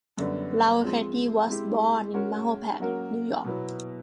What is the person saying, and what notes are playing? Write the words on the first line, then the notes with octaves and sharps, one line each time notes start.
Laoretti was born in Mahopac, New York.
F#2 D3 G3 B3
F3 G#3 C4
G#3 C4 E4 G4
G#3 C#4 F#4 A#4 C#5
F#3 A#3 C#4 F#4 A#4
B2 F#3 B3 E4